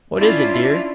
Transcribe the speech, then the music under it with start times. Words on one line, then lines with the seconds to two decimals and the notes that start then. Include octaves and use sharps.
"What is it, dear?"
0.19 C#4 D4 E4 F4 D5